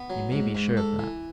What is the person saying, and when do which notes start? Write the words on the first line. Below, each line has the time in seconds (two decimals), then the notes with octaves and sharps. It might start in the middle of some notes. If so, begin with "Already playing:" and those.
You may be sure of that.
Already playing: B3
0.10 F#3
0.32 G#2
0.55 G#2
0.77 A4
0.99 E3